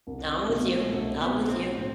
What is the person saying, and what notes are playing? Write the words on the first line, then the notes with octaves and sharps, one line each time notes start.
I'm with you, I'm with you.
C2
B2 A3
G#3
C2 A3
B3
B2 A3
B3
C4
A2 C4